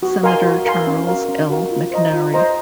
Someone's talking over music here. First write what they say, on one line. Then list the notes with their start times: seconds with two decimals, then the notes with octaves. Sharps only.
Senator Charles L. McNary.
0.03 F#4
0.23 A#4 F5 G#5 C6
0.44 F#4
0.65 A#4 F5 G#5 C6
0.87 C#4
1.07 F#4 A#4 F5
1.28 C#4
1.50 F#4 A#4 F5
1.71 F4
1.91 C5 D#5 A#5
2.14 F4
2.34 C5 D#5 A#5